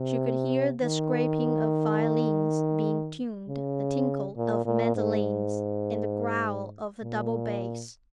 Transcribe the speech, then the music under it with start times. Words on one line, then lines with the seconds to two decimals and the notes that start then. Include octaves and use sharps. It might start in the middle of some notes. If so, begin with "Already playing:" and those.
She could hear the scraping of violins being tuned, the tinkle of mandolins, and the growl of a double bass.
Already playing: C3
0.82 D#3
3.49 C#3
4.37 A#2
4.66 A#2
4.96 G#2
7.03 A#2